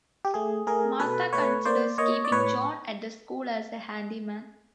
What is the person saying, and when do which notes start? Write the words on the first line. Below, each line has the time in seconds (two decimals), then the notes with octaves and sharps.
Martha considers keeping John at the school as a handyman.
0.25 G4
0.34 A3 G#4
0.67 A3 G#4 A#4
1.00 B2 A4 B4
1.33 A3 B4 C#5
1.65 A#3 C5 D5
1.98 A#3 C#5 D#5
2.25 D5
2.31 A2 B4 C#5